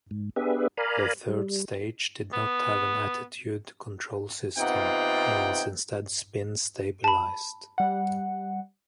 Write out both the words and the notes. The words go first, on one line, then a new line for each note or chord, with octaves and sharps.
The third stage did not have an attitude control system, and was instead spin-stabilised.
G#2
B3 D4 G4 G#4 B4 E5
A#4 D5 F5 G#5 A#5 B5
G3
B3
C3 B3 D#4 F4 F#5 G5
A5 B5
G3 F#5